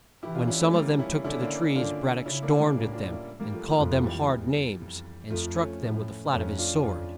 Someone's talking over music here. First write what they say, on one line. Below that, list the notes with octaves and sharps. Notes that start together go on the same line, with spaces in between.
When some of them took to the trees, Brad-dock stormed at them, and called them hard names, and struck them with the flat of his sword.
E3 E4 G4
D4 F4
C#4 E4
A3 C#4
G3 A#3
C#4 E4
D3 C#4 E4
A#3 D4
D3 D4 F4
C#3 C#4 E4
A#3 D4
G3 A#3
A2 A#3 D4
D4 F4
A#3 D4
G3 A#3
F3 A3
F3 A3
F2 F3 A3
A3
E3 G3
E2
F2
F2 F3 A3
A3 C#4
A2
F2 A3 C#4
D4 F4
F2 D4 F4